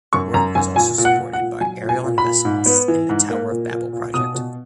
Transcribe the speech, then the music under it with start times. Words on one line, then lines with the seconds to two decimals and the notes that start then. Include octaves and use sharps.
The work was also supported by Ariel Investments in the "Tower of Babel" project.
0.13 F#2 C#6
0.34 F#2 A#5
0.55 F#2 G#5
0.76 A#2 G#5
0.98 A#2
1.05 F#5
1.18 A#2
1.33 F#5
1.40 A#2
1.61 F#3 G#5
1.82 A#2
1.89 G#5
2.04 A#2
2.18 B5
2.24 A#2
2.45 G#2
2.66 B3
2.88 E3
3.09 G#2
3.30 A#3
3.51 A#2
3.71 A#2
3.93 A#2
4.14 B2 D#6
4.35 B2